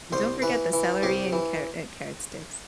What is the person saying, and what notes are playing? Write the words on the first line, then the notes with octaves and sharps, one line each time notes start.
And don't forget the celery and car uh, carrot sticks.
C2 C5
E3 B4
E3
C2 G4
E3